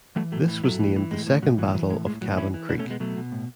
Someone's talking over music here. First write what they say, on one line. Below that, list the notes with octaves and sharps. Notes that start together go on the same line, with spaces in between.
This was named the Second Battle of Cabin Creek.
E3 F#3 A3
A2 F#3 A3
E3
A2 F#3 A3
E3
E3
A2 G#3
A2
A2 F#3
E3 F#3
E3 F#3
A2 G#3
A2 G#3
A2 F#3
E3 C#4 E4
E3
B2 B3 D4
A3 C#4
B2
G#3 B3
B2 F#3 A3
B2
A2